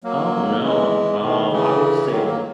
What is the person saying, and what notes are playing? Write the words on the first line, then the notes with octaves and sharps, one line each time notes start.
I don't know. Um, I will say
F#3 A#3
E3 G#3
B2 D#3
C#3 E3
D#3 F#3
F#3 A#3